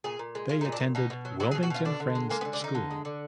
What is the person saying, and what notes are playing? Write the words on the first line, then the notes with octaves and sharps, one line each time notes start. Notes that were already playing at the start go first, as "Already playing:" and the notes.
They attended Wilmington Friends School.
A#2 G#4
A#2
G#3
G#3 F4
D#4
A#2
D4
A#2
B2 D#4
B2
F#3
F#3 F#4
G#4
B2
F#4
B2 F4
D3 D4
D3
G#3
G#3 A#3
B3
D3
D4
D3 D#4
D3
G#3
D3